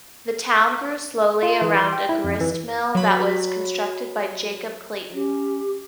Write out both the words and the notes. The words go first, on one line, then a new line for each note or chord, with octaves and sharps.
The town grew slowly around a gristmill that was constructed by Jacob Clayton.
F4
E3
C6
G5
E4
F2
E3
F#3 B5
C#4 G4